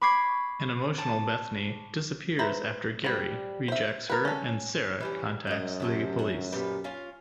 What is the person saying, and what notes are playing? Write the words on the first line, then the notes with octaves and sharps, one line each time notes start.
An emotional Bethany disappears after Gary rejects her and Sarah contacts the police.
B5 C#6 D6 G#6 C7
A5
B4 C5 E5 A#5
G3 C5
C5 E5
A#4 B4
C#4 A4
E3 G3 C#4
F#2 D#5 F5
C3 C#4 A5
F#5
A#2 G3 B3
C#4 F4 F5